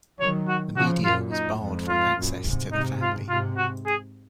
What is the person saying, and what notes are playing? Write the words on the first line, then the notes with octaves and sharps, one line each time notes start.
The media was barred from access to the family.
D#3 F#3 C#5
F#4
C#3 F3 F#4
F#2 A#2 F4
D#4
F2 G#2
F4
F#2 A#2
G#2 C3
G#2 C3 D#4
F4
G#2 C3 F4
F#4
G#4